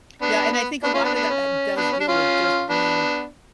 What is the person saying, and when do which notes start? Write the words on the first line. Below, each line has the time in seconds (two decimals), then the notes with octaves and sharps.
Yeah, and I think a lotta that ha does deal with just being,
0.22 B3 D4
0.53 B3
0.84 B3 D4
0.94 C#4 F4
1.04 B3 D4
1.15 B3 D4
1.30 C#4
1.77 B3 D4
1.92 C#4
2.00 D4
2.08 C#4 F4
2.70 B3 D4